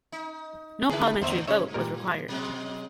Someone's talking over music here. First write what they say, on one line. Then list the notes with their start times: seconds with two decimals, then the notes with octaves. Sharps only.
No parliamentary vote was required.
0.12 D#4
0.90 C#3 E4 G#4 B4
1.22 E2 G#2 D3 C5 E5
1.47 G2 C#3 C#5 E5
1.74 A#2 G3 A#4
2.28 B2 F#3 G#3